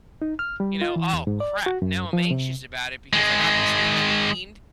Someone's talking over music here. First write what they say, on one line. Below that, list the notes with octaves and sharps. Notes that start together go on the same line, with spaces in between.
you know, "Oh, crap! Now I'm anxious about it because I got this thing I need,
D#4
F6
G3
F4
E3
E2
G#2
D5
F#4
F#2
F3
C3
D#3 G#3